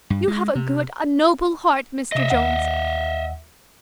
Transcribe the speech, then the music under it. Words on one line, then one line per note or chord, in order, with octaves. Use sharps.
You have a good--a noble heart, Mr Jones.
G2
G#3
C3
C3 D#5 E5 A#6
D#2 F#5